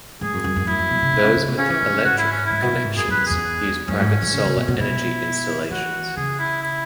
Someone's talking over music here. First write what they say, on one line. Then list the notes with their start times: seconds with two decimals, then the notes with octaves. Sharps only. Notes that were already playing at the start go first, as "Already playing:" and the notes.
Those with electric connections use private solar energy installations.
0.21 G#2 G#4
0.33 F#2
0.44 F#2
0.56 F#2
0.67 F#2 E4
0.79 F#2
0.91 B2
1.02 C#3
1.13 B2
1.24 C#3
1.36 C#3
1.48 B2
1.58 C#3 C#4
1.70 E3
1.82 E3
1.93 C#3
2.05 G#2 F#4
2.18 E4
2.31 C#4
2.45 E4
2.51 G#2
2.62 B2
2.73 B2
2.85 G#2
2.96 F#2 G#4
3.08 F#2
3.11 B4
3.20 F#2
3.26 E2 G#4
3.88 F#2 C#4
4.00 G#2
4.22 E3
4.34 C#3
4.45 C#3
4.56 B2
4.68 B2
4.79 B2 E4
5.71 E3 F#4
6.17 C#3 G#4
6.39 E4
6.62 E4